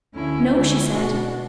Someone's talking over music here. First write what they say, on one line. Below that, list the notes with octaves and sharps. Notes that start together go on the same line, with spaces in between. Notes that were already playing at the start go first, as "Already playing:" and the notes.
"No," she said.
D2 D3 A3 C#4 E4
D3 G#3 C#4 E4
B2 A3 D4 F#4